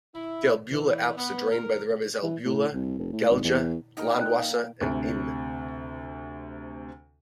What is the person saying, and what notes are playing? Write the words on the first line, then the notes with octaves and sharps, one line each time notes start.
The Albula Alps are drained by the rivers Albula, Gelgia, Landwasser and Inn.
E4
E3
B3
A#4
E3
A2
C2
F1
A2
G#1
E2
A#2 D#4 A#4 G5
F#6
F5
D2 C3